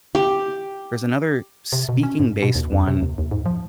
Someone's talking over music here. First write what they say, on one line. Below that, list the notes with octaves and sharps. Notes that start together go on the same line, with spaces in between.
There's another speaking-based one,
G4
C3
B2
C#4
G#2
B2
D#2
F2
C3
D#2
D#2
G#2
F3